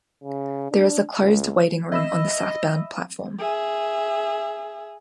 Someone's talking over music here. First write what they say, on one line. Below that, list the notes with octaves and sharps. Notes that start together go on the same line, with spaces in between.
There is a closed waiting room on the southbound platform.
C#3
D4
C#2
D#5 E5 B5 E6
G#4 E5